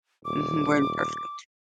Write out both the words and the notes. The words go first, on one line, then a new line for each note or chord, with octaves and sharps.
Mhm, we're imperfect.
D#1 D6